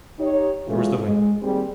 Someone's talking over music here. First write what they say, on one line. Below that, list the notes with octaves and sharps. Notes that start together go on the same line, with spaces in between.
There was the link.
D#4 G4 C#5
E3 F#3 G#3 A3 C#4 F4
G#3
D#3 G3 A#3 C4 G4 G#4